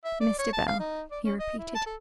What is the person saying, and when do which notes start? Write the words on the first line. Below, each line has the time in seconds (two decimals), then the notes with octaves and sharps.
'Mr. Bell,' he repeated.
0.05 E5
0.20 D5
0.39 C#5
0.53 A5
0.68 F5
0.80 D#4
1.11 D5
1.25 C#4
1.39 D#5
1.59 E4
1.75 A5
1.86 A4